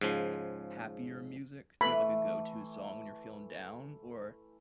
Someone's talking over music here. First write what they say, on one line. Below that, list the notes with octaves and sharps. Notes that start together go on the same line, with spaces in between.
ha happier music? Do you have, like, a go to song when you're feeling down, or
G#2 C#3 F3
E3 A3 B5